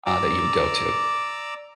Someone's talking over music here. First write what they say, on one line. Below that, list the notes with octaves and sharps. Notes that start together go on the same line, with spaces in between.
uh, that you would go to?
D5 A#5 D6 E6